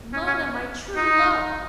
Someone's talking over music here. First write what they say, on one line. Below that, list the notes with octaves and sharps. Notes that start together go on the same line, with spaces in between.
Mona, my true love.
C#4
C#4
D#4